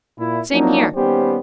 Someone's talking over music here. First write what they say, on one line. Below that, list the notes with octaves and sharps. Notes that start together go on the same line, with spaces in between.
Same here.
A#2 E4
F3 F#3 A#3 D4 D#4
D#2 G3 B3 C#4 G4 C5